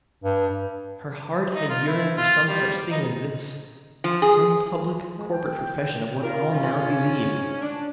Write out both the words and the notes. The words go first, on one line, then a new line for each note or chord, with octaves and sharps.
Her heart had yearned for some such thing as this--some public corporate profession of what all now believed.
G2
D#4
F4
E4
F4
G3
D#4
F3
G#4
G#3
G5
D#3 D4 F4 A#4
G#2 C#4
D4